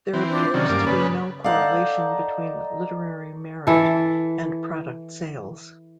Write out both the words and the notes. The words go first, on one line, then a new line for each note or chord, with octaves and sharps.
There appears to be no correlation between literary merit and product sales.
E3 C4
D4 F4 C5
C3 D#3 F#3 C#4 D5
G2 A#3 D6
C#3 B4
D#4 A4 D5 F5 F#5
E3 A4